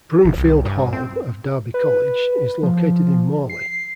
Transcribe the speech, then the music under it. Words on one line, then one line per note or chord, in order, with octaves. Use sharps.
Broomfield Hall of Derby College is located in Morley.
A1
C2
G2
C4
B4
F3
C7